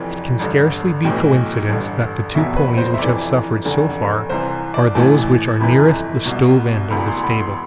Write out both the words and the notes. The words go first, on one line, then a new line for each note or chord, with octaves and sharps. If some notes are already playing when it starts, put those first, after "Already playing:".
It can scarcely be coincidence that the two ponies which have suffered so far are those which are nearest the stove end of the stable.
Already playing: F1 F2 E3
A1 G2 D3
B1 A2 E3 G5
A1 G2 D3
F1 E2 B2 E5
B4
C5
E5
F1 F2 E3 D5
F1 E2 D3
C2 C3 E3 C5
D5
A1 A2 E3 A5
G1 F2 C3 E3 B5
C2 B2
E1 D2 C3 E3 B5
C6
B5
C6